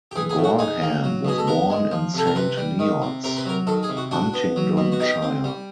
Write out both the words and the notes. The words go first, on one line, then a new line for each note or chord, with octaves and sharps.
Gorham was born in Saint Neots, Huntingdonshire.
G4
E3 G#4
G#4
A2
F#4
D#4 G#4
A#3
F#3
B2 G#4
A4
B3 A#4
G#3
F3
C3 A4
A#4
C3 B4
G3
D#3
C3
C3 A#4
B4
F#3 A#4
D#3 A4
G#4
C3
F#4
D4 F#4
B3
F#3
B2
F#4
D#4 G4
C4
G3